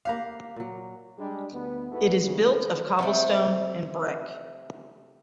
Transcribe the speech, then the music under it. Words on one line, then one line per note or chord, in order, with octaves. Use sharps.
It is built of cobblestone and brick.
A#3 G4 F5 F#5 A#5
A#2 F#3
G3 G#3 D4
D2 B3
G#2 B3 E4 F#4 A4 B4
D#2 C#3 A3
C3 A3 C4